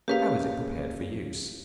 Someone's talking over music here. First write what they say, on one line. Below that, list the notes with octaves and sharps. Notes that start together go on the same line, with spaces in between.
How is it prepared for use?
A#3 C#4 G4 G#4 B4 F5